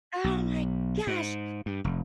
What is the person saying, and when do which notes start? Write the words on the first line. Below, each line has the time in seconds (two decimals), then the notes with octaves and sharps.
Oh my gosh.
0.24 B1
1.07 G#2
1.66 G2
1.84 F1